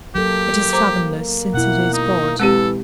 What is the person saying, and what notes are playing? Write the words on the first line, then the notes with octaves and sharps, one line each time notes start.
It is fathomless, since it is God.
F#3 A#3 G4 A4
C5 A#5 D6
B2 E4 F#5
D#4
E3 G#3 C4 G4 A4